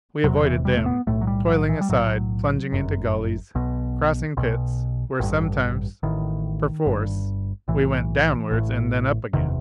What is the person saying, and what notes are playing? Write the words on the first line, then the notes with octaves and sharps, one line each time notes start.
We avoided them, toiling aside, plunging into gullies, crossing pits where sometimes, perforce, we went downwards, and then up again.
E1 E2 C3 F#3
E3
G3
A3
B3
B1 A2 A3
F#3
G3
F#3
E3
G3
B1 A2 F#3
G1 F#2
B1 B2
B1 B2
A1 G2
A1 A2 D#3
G1 G2
B1 A2 E3
A1 A2
F#1 E2 C3 D#3